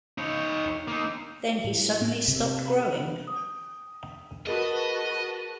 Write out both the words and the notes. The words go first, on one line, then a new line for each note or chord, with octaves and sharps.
Then he suddenly stopped growing.
D#4 C#5
A#3 D#4
A2
C3
D#6
F#4 G#4 A#4 B4 D#5 A5